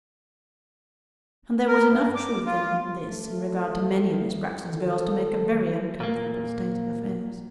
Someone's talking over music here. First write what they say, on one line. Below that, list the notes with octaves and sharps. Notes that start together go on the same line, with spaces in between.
And there was enough truth in this in regard to many of Miss Braxton's girls to make a very uncomfortable state of affairs.
A#4
G2
D6
F4
A3
D#3 A4
A#2 A#3